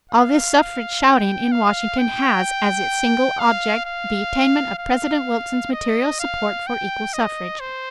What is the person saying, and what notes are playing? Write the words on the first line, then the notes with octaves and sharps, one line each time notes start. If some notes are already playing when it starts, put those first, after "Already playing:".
All this suffrage shouting in Washington has as its single object the attainment of President Wilson's material support for equal suffrage . . . .
F5
G5
F5
G5
F5
F5
F5
D#5
F5
G5
D#5
C5